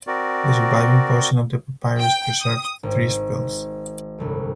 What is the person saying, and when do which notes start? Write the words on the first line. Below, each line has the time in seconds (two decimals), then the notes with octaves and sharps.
The surviving portion of the papyrus preserves three spells.
0.07 C4 F#4 A#4 D5
1.99 G5
2.41 D#6
2.83 G#1
4.18 G1 C2 F2